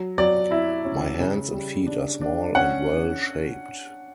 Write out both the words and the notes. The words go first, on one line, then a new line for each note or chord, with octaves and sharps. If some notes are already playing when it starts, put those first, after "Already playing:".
My hands and feet are small and well-shaped.
Already playing: F#3
F#3 D5
E4 E5
C#4
C#3
G3
D4
D4
C#4 F#5